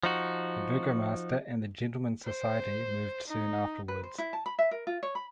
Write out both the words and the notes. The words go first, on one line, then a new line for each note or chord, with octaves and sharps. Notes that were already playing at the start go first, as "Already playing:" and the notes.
The burgomaster and the Gentlemen's Society moved soon afterwards.
F3 D#4 F#4
C5
D#4
B4
C5
E4
A5
B5
E5
A#4
F4
C#5
B5